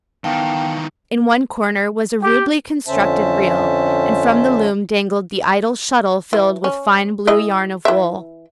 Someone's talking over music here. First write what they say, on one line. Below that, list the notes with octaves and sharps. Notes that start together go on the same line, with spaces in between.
In one corner was a rudely constructed reel, and from the loom dangled the idle shuttle filled with fine blue yarn of wool.
D#3 E3 B3 F5 G5 A5
G4
F2 D3 C#4 C5 E5 A5
E3
C#4
E4 G#4 D#5
E3 E5